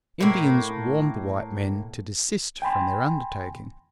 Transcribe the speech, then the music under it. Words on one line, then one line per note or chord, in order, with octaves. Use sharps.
Indians warned the white men to desist from their undertaking.
A2 A#3
G5 G#5 B5 C6